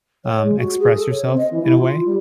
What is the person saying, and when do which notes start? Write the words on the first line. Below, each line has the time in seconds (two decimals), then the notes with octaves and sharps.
um, express yourself in a way.
0.25 C#5
0.42 G#3
0.58 F#4
0.79 G#4
0.94 A4
1.10 C#5
1.26 C4
1.37 D#5
1.51 E3
1.62 E4
1.78 F4
2.05 G3